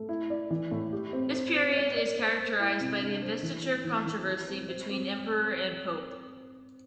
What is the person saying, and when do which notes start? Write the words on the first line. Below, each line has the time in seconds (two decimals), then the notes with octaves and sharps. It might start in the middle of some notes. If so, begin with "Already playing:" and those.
This period is characterized by the Investiture Controversy between Emperor and Pope.
Already playing: A3
0.09 E4
0.30 D5
0.51 E3
0.71 A2
0.93 G4
1.13 C4
1.34 C5
1.55 C5
1.76 D5
1.97 D5
2.18 C5
2.38 C5
2.60 E4
2.81 C3
3.02 D4
3.22 C5
3.43 E3
3.64 C4
3.85 E3
4.05 E3
4.27 G4
4.48 C4
4.68 C5
4.89 C4